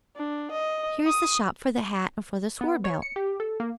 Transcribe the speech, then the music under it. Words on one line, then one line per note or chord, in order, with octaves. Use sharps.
"Here is the shop for the hat and for the sword-belt."
D4
D#5
D#6
B3
C#5
C#7
G4
A4
A#3